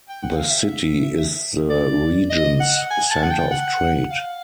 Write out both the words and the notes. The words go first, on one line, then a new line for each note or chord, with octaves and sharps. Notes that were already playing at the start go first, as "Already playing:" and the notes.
The city is the region's center of trade.
G5
F#5
F5
E5
D5
D#5
F#5
G#5
A5
F#5
G5
F#5
F5